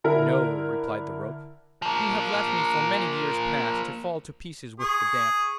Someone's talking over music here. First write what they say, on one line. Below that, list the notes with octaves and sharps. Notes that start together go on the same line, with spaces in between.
'No,' replied the rope; 'you have left me for many years past to fall to pieces with the damp.
D3 E4 A#4
F3 A#3
G#4 C#6